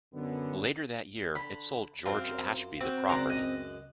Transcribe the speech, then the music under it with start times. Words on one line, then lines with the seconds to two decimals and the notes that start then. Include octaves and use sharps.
Later that year, it sold George Ashby the property.
0.14 F#2 D3 B3
1.35 D3 B5
2.06 F#2 C4 F4 A#4
2.81 C4 F#4
3.08 C#2 F#2 D5 F#5 A#5 C6
3.30 D#5